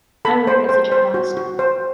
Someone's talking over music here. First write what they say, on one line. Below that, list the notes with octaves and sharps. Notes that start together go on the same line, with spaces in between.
I work as a journalist.
A4 B5
C5
C5
C5
F#4
F#4
C5